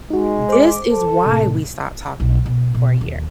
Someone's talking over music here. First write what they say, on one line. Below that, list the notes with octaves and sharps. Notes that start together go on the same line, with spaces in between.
This is why we stopped talking for a year.
G#3 D#4 F#4
C5 D6
A4
A2 C3
B1
B2
B2
D#2